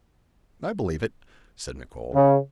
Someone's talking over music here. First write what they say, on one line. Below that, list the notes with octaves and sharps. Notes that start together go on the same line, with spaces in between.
"I believe it," said Nicholl.
C#3